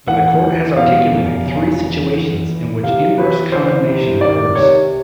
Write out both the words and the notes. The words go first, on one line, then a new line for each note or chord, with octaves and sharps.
But the court has articulated three situations in which inverse condemnation occurs.
E2 F#5
E2
B2 F5
F1
C#3
E2
E2
E3
C3 F5
E3 B4
E3 C5
C3
D#3 D5
C3 C#5